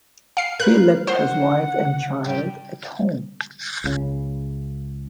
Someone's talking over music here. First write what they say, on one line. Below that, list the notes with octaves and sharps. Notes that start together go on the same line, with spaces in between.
He left his wife and child at home.
F5 C7
A#4 B4 F5 F#6
C5 F#5
G2 G3 G5
C#2 C#3